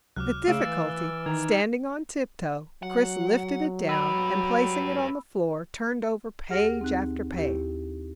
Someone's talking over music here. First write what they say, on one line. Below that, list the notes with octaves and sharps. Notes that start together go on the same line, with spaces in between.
With difficulty, standing on tiptoe, Chris lifted it down, and placing it on the floor, turned over page after page.
C#2 C3 F#3 D6 F6 F#6
C#3 A3 F5 E6 D7 E7
E3 A6 E7
E6 G7
D#3 D#4 G#6 F7
F#3 F#5
G4 B4 B5 E6
D#2 G4 G#4 F#5 F6 A#6
D#2 C4 D#4 F#6
D#2 E4 G4